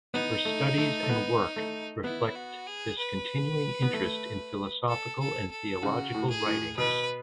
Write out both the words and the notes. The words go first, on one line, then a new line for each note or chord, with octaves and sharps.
Her studies and work reflect this continuing interest in philosophical and theological writings.
B3 D#4
A3
A3
A3
B3
A3
B3 E4
F#4
G#4
B4
B3
A3
A4
A4
A4
C#3 F#4
A2
G#4
A2
B2 B4